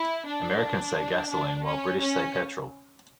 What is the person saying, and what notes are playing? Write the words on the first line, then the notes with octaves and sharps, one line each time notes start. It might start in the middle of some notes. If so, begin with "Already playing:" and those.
Americans say gasoline while British say petrol.
Already playing: E4
D4
D4
C#4
C#4